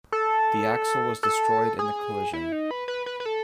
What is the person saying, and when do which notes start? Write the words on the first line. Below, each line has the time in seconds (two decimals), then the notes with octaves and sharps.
The axle was destroyed in the collision.
0.12 A4
1.23 A4
1.79 G#4
2.33 E4
2.52 D#4
2.71 B4
2.88 B4
3.06 B4
3.20 B4
3.26 A4